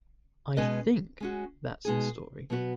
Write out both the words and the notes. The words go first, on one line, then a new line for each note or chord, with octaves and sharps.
I "think" that's the story.
B2 G#3 C#4 B4 D#5
G#3 C#4 F#4
B2 G#3 D#4 G#4
B2 F#3 B3 F#4 B4